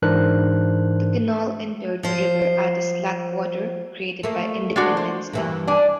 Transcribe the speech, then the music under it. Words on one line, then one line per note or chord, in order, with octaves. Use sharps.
The canal entered the river at a "slackwater" created by Independence Dam.
G#2 E3 D4 A#4 C5 F#6
F3 C5
A3 A#3
G#3 D4 F#4
C5
G2 E3 A#3
D4 G#5